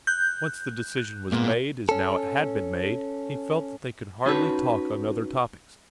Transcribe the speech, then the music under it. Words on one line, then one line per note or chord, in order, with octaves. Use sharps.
Once the decision was made, as now it had been made, he felt that they could hardly talk on other topics.
F#6 G6
A#2 G#3 A#3 B3
C#4 A4
C#4 D#4 F#4 B4 C#5 A5